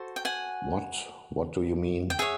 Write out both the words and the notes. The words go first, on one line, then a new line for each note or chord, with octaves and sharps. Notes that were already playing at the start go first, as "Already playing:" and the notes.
What — what do you mean?
Already playing: F#4 A4 C5
G5
F#5 G#5
G5
G#4 C#5 E5 F#5